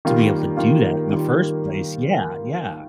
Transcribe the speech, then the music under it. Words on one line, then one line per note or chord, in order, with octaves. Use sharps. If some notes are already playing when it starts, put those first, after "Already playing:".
to be able to do that in the first place? Yeah, yeah.
D#3 G3 A#3 F4
D#3 G3 A#3 F4
D#3 G3 A#3 F4